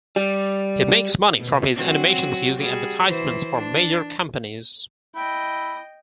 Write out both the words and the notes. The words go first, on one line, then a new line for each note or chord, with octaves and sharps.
He makes money from his animations using advertisements for major companies.
G3
B2
F#3 C4 F#4
G3 F#4 G#4
E3 C5
D4
E4 D#5 G5